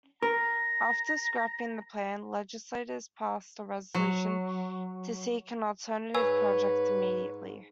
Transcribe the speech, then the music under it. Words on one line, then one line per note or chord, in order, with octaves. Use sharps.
After scrapping the plan, legislators passed a resolution to seek an alternative project immediately.
A#4 A#5
F#3
G#2 B4 C#5 G#5 E6